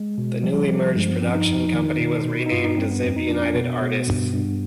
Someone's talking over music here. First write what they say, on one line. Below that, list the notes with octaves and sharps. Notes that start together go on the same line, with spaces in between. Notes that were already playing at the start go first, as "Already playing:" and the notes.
The newly merged production company was renamed Ziv-United Artists.
Already playing: G#3
B2
F3 G3
F3
G2 G#3
B3
F3 C4
D#4
F2
D#3
B2
B2
D#4
G2 F4
D#4
G2 C4
B3
F2 C4
D#4
F2 D4
D4
B2 B3
B2
G2
G2